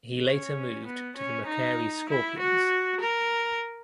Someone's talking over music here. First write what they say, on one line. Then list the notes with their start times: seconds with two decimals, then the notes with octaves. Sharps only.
He later moved to the Macquarie Scorpions.
0.25 C#4
0.85 B3
1.16 C#4
1.47 D#4
2.09 E4
2.38 F#4
3.01 A#4